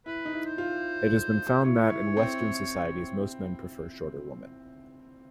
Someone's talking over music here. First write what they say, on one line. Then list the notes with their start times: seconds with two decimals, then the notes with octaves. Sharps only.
It has been found that, in Western societies, most men prefer shorter women.
0.06 E4 B4
0.25 D#4
0.33 E4
0.46 C5
0.58 F4
1.64 E4 C#5
1.90 E4
2.17 C4